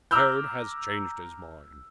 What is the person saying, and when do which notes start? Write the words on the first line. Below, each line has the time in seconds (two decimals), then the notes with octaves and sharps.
Toad has changed his mind.
0.11 A#5 D6 E6 F6 G6